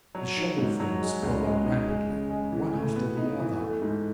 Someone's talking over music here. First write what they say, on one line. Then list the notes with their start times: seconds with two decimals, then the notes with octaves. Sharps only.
The shovelfuls follow rapidly, one after the other.
0.15 F#3
0.36 D#3
0.58 G#2
0.80 F#3
1.01 G#3
1.22 C#2
1.45 G#3
1.66 D#4
1.87 G#3
2.09 C#3
2.30 G#3
2.52 E3
2.74 A2
2.96 B3
3.17 D#4
3.39 E3
3.60 A3
3.82 G#2